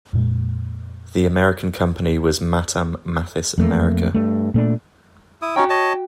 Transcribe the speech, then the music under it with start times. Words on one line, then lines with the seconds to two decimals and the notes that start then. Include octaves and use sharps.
The American company was Matam, Mathis-America.
0.13 F2 A#2 G#3
3.58 F2 A3 A#3
4.15 G2 A3
4.54 A#2 A3 D4
5.42 E4 D#6
5.56 C#4 D#4 F#4 C#5 G5
5.70 C#5 D#5 A5